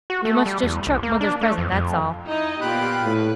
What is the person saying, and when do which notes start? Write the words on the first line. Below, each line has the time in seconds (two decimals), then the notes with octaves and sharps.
We must just chuck mother's present, that's all.
0.10 F#4
0.25 A3
0.46 G3
0.63 E2
0.87 C2
1.03 A#3
1.21 D4
1.41 A3
1.58 F2
1.72 F2
2.26 D#4 E4 D#5
2.61 A#2 B3 F4 G4 G5 B5 F#6
3.04 A2 B4